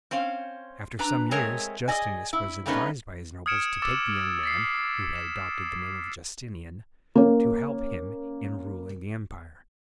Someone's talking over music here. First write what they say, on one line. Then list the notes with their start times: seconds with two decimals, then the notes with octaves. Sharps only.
After some years Justinus was advised by his nobles to take the young man, who had adopted the name of Justinian, to help him in ruling the empire.
0.11 C4 C#4 C5 F5
0.99 D4 B4 A#5
1.31 G#3 A3 C4 G#4 A#4 C#5
1.88 G#4 A#4 D5 D#5 G#5
2.33 E4
2.66 G3 A3 B3 C#4 D#4 B4
3.46 D#6 F6 G#6 C#7 D7 E7
3.82 D6 E6 A6 E7
4.43 A6 B6 C7
5.16 E7
7.15 A#3 C#4